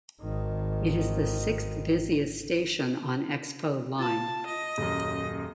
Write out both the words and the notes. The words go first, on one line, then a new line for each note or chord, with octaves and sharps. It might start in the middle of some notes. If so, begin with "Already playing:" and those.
It is the sixth-busiest station on Expo Line.
G#1 D#3
F4 A5
D#5
D#1 F#2